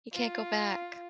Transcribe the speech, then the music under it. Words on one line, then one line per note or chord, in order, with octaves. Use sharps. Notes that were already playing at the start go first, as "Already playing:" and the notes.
You can't go back.
F4